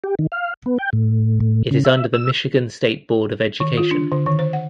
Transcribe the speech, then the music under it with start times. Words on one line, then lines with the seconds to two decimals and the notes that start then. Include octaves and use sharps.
It is under the Michigan State Board of Education.
0.04 G4
0.19 D#3
0.32 F5
0.66 B3
0.78 G5
0.93 A2
1.40 A2
1.71 C#3
1.85 E5
2.13 E6
3.60 D#3
3.77 F4
3.91 D4
4.12 D3
4.26 D#3
4.39 C5
4.53 F#5